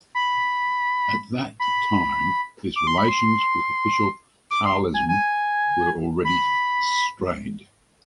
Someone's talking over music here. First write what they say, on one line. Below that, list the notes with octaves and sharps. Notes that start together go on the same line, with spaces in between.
At that time his relations with official Carlism were already strained.
B5
B5
D6
C6
B5
C6
D6
C6
G#5
G#5
B5